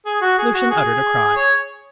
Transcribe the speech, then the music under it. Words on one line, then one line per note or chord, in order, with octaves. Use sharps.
Lucian uttered a cry.
G#4
F#4
G#4
F#4
G#4
C#5